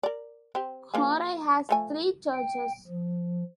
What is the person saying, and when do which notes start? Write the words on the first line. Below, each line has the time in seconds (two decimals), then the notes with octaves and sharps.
Gorai has three churches.
0.03 A#4 D5
0.55 C4 G4
0.94 F3 A#3 G#4
1.69 F3 A3 G#5
2.34 G5
2.87 F3